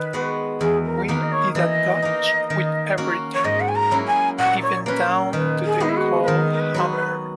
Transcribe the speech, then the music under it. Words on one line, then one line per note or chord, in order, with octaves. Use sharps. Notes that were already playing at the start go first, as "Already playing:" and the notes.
We did a dutch with everything—even down to the coalhammer.
Already playing: D#3 B4
G#3 B3 F#4
E2 G#4
A#4
D#3 A#3 B4
D#5
C#5
E3 D#5
A#3 D#4
D#3
A#3 C#4 F#4
C#5
G#2 D#5
F#5
G#5
A#5
F#3 A#3 C#4 E4
G#5
A#2 F#5
C#5
A#3 C#4 B4
D#3 B4
G#4
G#3 B3 D#4
E4
F#4
B4
D#3 A#4
A#4
B4
F#3 B3 F#4
B4